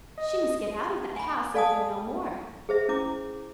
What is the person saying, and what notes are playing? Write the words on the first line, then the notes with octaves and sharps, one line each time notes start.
She must get out of that house and hear no more.
D#5
G#5 B5
A4 D5 F5 G#5 A5 D#6
G#4 C5 E5
C#4 E4 D6